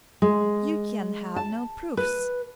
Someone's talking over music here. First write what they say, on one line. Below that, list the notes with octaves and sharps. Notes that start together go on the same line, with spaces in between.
You can have no proofs.
G#3
A5
B4